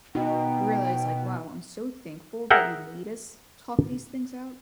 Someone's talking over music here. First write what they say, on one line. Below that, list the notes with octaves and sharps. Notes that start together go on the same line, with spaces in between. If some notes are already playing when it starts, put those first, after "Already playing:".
you realize like, "Wow, I'm so thankful that you made us talk these things out.
B2 D#4 G5
G#4 A#4 E5 F#5 G5